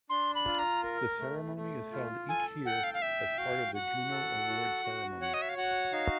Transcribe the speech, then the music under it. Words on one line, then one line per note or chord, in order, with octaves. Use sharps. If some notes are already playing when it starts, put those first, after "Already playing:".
The ceremony is held each year as part of the Juno Award ceremonies.
D4 C6
B5
F4
A#5
A#4
A3
A3
F4
A4 G#5
F#5 G5
F5
F5
E5 G5
F#4 F5
F#4 F#5
A4
F#4
F#4
C#5 F#5
D#5
E5
F5
F#4 F#5
D#4 F5